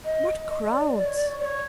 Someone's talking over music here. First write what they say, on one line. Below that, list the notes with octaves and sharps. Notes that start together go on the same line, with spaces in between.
What crowds!
D#5
D5
D#5
D5
C#5
D5
C#5
C#5